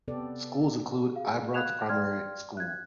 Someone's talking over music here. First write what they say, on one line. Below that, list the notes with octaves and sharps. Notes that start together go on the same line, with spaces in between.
Schools include Ibrox Primary School.
C3 B3 G4 A4 D5
G#4 F5
F5 B5 F#6 G#6 E7 F7
D5 F5 G5 C6 F6 G#6
F#6 G#6